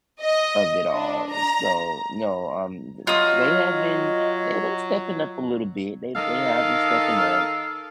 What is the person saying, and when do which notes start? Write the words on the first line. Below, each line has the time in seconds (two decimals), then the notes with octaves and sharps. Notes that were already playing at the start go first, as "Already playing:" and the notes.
of it all. So, no, um, th they have been they've been stepping up a little bit. They they have been stepping up.
0.21 D#5
0.93 D4
1.32 A#5
3.07 F#3 F4 D#5 D#6
6.16 D#3 D#4 A4 F5